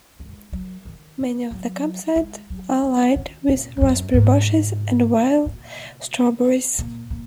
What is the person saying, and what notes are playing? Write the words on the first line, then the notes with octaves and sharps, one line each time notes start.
Many of the campsites are lined with raspberry bushes and wild strawberries.
G#3
F#3
D#3
F#3
G#3
F#3
F#3
D#3
A#2
G#2
F#2
G#2
A#2
A#2
A#2